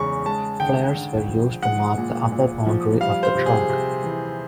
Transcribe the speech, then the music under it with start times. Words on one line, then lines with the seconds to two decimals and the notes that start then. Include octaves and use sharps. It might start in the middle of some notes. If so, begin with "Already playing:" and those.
Flares were used to mark the upper boundary of the track.
Already playing: E2 C#3 G#3 C#6
0.26 G#3 A5
0.60 D3 G5
0.95 D3
1.28 F3
1.63 G#3 F#5
1.98 A#2
2.32 A#2
2.66 F3
3.00 G3 F5
3.23 C5
3.35 C3
3.46 G#4
3.69 C3
4.03 E3